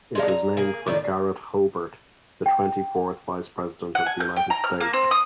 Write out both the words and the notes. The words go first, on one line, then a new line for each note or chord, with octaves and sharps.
It was named for Garret Hobart, the twenty-fourth Vice President of the United States.
G#3 D4 D#4 F5
A#5
A#3 G#4
A2 D#3 D5
G5
F#5
G#5
G6
G5
A#5
F6
A#3
C4
D#6